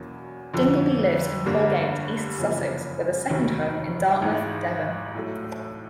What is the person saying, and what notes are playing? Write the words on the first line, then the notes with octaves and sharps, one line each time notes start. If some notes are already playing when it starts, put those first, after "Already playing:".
Dimbleby lives in Polegate, East Sussex with a second home in Dartmouth, Devon.
Already playing: E2 B2 F#3 A#3 C#4
F2 D3 F3
G1 G2 D3 G3 A#3
F#1 E2 C#3 F3 A#3
F1 D#2 D#3 F#3
G#1 G#2 E3 G#3
A2 F#3 A3